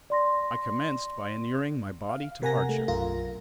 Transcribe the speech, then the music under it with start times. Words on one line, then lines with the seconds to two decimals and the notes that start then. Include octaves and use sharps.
I commenced by inuring my body to hardship.
0.10 D5 C6 A#6
2.09 F5
2.42 C3 A#4 F#5 G#5 A#5 A#6
2.69 A3
2.88 B1 F#2 F4 A#4 A#6